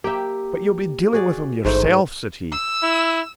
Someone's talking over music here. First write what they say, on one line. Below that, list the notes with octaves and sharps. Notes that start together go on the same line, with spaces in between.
"But you'll be dealing with him yourself!" said he.
A#3 G4 E5
F#4 G#4 D5
A1 G#2 A3 C5
E6
E4